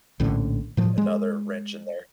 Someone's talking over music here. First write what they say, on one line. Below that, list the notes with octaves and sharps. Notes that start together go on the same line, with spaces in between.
another wrench in there.
A#1 A2 D3 C#4
A2 F3
G#3